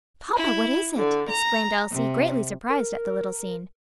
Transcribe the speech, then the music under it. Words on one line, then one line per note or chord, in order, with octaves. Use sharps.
"Papa! what is it?" exclaimed Elsie, greatly surprised at the little scene.
E4
D3
A#5
C3
A#4